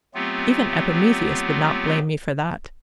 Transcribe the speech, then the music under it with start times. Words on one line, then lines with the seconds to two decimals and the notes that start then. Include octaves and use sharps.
Even Epimetheus would not blame me for that.
0.14 F#3 A3 B3 C4 F4 G4